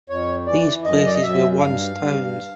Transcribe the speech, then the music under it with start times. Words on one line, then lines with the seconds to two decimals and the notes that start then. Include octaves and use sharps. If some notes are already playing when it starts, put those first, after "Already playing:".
These places were once towns.
0.09 F2 C#5
0.47 E3 D5
0.84 F#2 D#5
1.06 D5
1.14 D#5
1.22 F#2 E5
1.59 G2 F5
1.96 G2